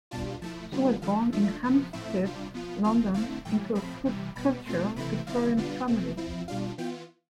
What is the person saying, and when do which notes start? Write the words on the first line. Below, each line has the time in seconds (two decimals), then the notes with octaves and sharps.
She was born in Hampstead, London, into a cultured Victorian family.
0.11 B2 G3 D4 F4 A5
0.42 F3 A3 E4 A5
0.72 D3 G3 B3 D4 F4
1.02 D3 F3 A3 F5
1.32 F3 A3 D4 F4 E5
1.63 C3 F3 B3
1.93 A2 F3 A3 C4 E4 E5
2.23 C3 G3 D4 F4
2.54 F3 B3 F4
2.84 F3 C4 F4 F5
3.14 D3 A3 C4 E4 F5
3.45 A2 E3 G3 G5
3.75 A2 F3 C4 B5
4.05 C3 E3 G3
4.36 B2 G3 B3 B5
4.66 B2 A3 C4 F4 C6
4.96 C3 E3 A3 C4 E4 B5
5.27 D3 G3 C4 E4 F5
5.57 D3 G3 B3 D4 F4
5.88 B2 A3 C4
6.17 F3 C4 E4
6.48 B2 G3 D4 F4 F5
6.78 E3 B3 F4 G5